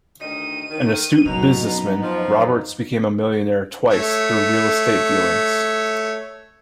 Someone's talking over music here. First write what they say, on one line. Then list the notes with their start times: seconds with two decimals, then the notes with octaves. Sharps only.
An astute businessman, Roberts became a millionaire twice through real estate dealings.
0.20 D2 D#3 D#4 D#7
0.70 D#3
1.25 F#2 B2 D#4 F7
1.62 B3 D#4
2.02 F3
3.90 A3 C#5